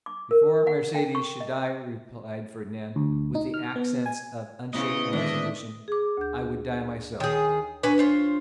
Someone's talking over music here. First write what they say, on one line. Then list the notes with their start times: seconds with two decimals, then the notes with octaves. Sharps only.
"Before Mercedes should die," replied Fernand, with the accents of unshaken resolution, "I would die myself!"
0.06 D6
0.31 A#4
0.67 F#5
0.95 G5
1.15 C#6
1.40 D#5
2.96 D2
3.35 D#4
3.54 F6
3.76 B3
4.06 G#5
4.73 C#3 B3 C4 E4 D#5
5.13 G#2 D3 D#3 D4 E5
5.88 G#4 D6
6.17 D2 G6
7.20 D#3 G#4 C#5 G6
7.83 C#4 D4 B4
7.98 F4 C5 C#5